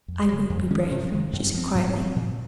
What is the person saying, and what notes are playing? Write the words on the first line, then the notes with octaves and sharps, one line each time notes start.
"I will be brave," she said quietly.
F2
C#3 F#3
F2
D#3 G#3 C#4
C3
D#3 G#3
F#2
F3 C4
G#2
F3 C4
A#2